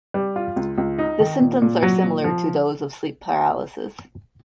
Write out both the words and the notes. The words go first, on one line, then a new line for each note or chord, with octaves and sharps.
The symptoms are similar to those of sleep paralysis.
G3
F4
C#2
C#2
D#4
D#3
A#2
A#2
F#3
A#2
F3